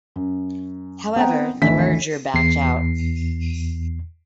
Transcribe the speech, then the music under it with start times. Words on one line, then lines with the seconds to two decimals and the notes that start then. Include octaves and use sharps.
However, the merger backed out.
0.16 F#2
1.16 B3 C4 F#5 G5 A#5
1.62 G#1 D2 E3 A3 E5 B6
2.34 E2 C7